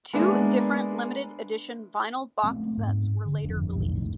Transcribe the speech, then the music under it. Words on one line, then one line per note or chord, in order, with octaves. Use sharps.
Two different Limited Edition Vinyl Box sets were later released.
G#3 A#3 B3 D4 E5
A3 B3 C4
G#2
D3
G1 F2 D4
B1 F2 A2 D#3